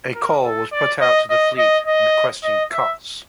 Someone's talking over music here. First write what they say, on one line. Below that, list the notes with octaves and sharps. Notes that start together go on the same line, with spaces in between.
A call was put out to the fleet requesting cots.
A#4
A4
D5
D#5
D#5
D#5
D#5
D#5
E5